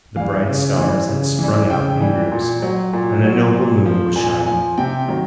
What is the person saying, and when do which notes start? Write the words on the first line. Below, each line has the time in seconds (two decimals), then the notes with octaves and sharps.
The bright stars had sprung out in groups, and a noble moon was shining.
0.16 E3 G3 F5
0.47 C#3
0.77 E3 G3
1.08 C#3
1.39 E3 G3
1.70 C#3 G5
2.01 E3 G3
2.32 A#2
2.62 F#3
2.93 A#2
3.24 F#3
3.54 A#2
3.85 F3
4.16 A#2 G#5
4.47 F3 G#5
4.78 C3 G5
5.08 D#3 F#3